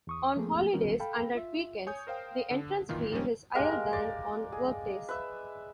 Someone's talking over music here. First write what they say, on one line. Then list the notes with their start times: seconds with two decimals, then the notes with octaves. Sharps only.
On holidays and at weekends the entrance fee is higher than on workdays.
0.07 E2 C#6 D#6
0.36 F3 A3 A#3 C4 G#4
0.73 D#3 G3 B3 C#4 F#4 A#4
1.00 A4 F5 G5 B5
1.35 F4 E5
1.87 C#5 G#5 D#6 G6
2.07 A#4 C5 F5 G5
2.51 D3
2.89 A#2 D#3 E3 F4
3.12 D#3 F3 G3 G#3 C4 C#4
3.55 G#3 A#3 G4 A#4
3.93 D5
4.52 G#4
5.09 B4 E5